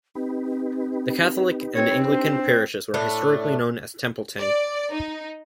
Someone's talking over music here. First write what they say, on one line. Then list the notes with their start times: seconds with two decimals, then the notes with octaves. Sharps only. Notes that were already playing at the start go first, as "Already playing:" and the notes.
The Catholic and Anglican parishes were historically known as Templetenny.
0.15 C4 D#4 G4 B4
1.75 C4 C#5
2.08 D4 C5
2.94 A2 A3 D4
4.38 D5
4.93 D#4